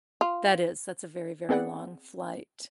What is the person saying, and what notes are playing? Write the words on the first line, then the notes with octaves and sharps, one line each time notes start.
That is. That's a very, very long flight.
F4
B3 C4 G#4 D5 F#5